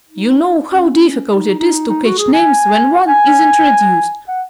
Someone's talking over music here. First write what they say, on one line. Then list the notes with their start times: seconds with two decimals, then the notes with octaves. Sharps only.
You know how difficult it is to catch names when one is introduced.
0.09 D#4
0.69 C#4
1.29 D#4
1.59 D#4
1.89 D#4
2.04 F#4
2.18 G#4
2.34 G#5
3.08 G#5
4.28 F#5